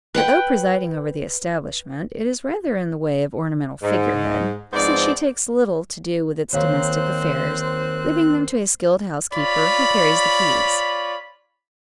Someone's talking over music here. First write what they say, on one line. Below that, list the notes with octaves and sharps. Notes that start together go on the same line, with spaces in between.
But, though presiding over the establishment, it is rather in the way of ornamental figure-head; since she takes little to do with its domestic affairs, leaving them to a skilled housekeeper who carries the keys.
B4 F#5 G5
G#2
G#2 F3 B3 C4 C5 D5
D#2 D#3 C4 C5 C#5 F5 F#6
F4 C#5 D5 B5